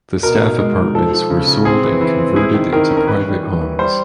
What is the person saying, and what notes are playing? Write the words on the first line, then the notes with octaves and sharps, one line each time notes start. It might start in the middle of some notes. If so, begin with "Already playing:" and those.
The staff apartments were sold and converted into private homes.
B2 A#4
D#4
G#3
D#4
F3 A4
F3
C#3
C#3
C4 G#4
E3
E3
C4
E4 G#4
D#3
D#3 A#4
C#4
A#4
E3 B4
G3
E3
E3
G3 C5